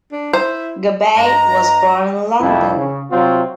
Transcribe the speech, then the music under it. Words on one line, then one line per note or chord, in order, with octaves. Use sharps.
Gubbay was born in London.
D4
E4 C5
G2 G#3 A#5
C2 F2 E4
C#3
C3 F#3 C4 F4